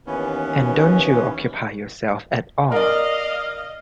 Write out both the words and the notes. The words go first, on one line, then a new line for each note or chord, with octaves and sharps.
And don't you occupy yourself at all?
D#2 E3 B3 C#4
A#4 D5 D#5 F5